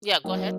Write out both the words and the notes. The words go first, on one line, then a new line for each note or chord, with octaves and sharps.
Yeah, go ahead.
F#3 A#3 D#4